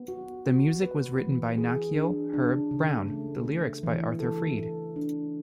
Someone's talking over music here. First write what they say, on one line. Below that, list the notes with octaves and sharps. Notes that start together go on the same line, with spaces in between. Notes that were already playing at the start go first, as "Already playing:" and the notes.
The music was written by Nacio Herb Brown, the lyrics by Arthur Freed.
Already playing: B3
F#4
F#4
B4
E3
G#4
D4
D4
C#3
A3
A3
E3
A4
A4
D4